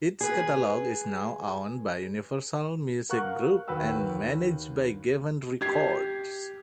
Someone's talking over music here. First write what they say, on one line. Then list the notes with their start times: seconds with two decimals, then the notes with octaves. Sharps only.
Its catalog is now owned by Universal Music Group and managed by Geffen Records.
0.21 G#4 B4
3.09 A#4 F5 F#5 C#6 F#6
3.68 D#2 F#4 B4 G5 E6
5.61 G4 G#6 C7